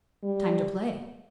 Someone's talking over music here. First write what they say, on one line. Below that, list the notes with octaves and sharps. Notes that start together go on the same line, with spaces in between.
"Time to play."
G3